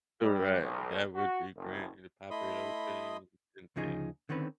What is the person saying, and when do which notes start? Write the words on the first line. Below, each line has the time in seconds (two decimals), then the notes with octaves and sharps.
Uh, right, that would be grand. We'd pop it open, and can think.
0.21 G3
0.60 B1
1.14 F#4
1.55 F#1
2.31 A3 E4 D#5 B5 C6 D#6
3.76 D2 C#3 F3 D#4 G#4
4.29 D3 D#3 C4 C#4 B4